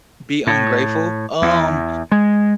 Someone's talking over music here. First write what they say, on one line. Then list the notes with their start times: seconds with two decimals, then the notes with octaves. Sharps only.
be ungrateful, um,
0.47 A2
1.42 E2
2.12 G#3